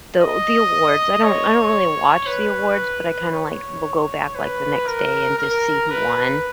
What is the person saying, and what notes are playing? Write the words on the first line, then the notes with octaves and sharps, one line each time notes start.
the the awards. I don't I don't really watch the awards, but I kinda, like, will go back like the next day and just see who won,
D#5
C#5
B4
C#5
B4
A#4
A#4
B4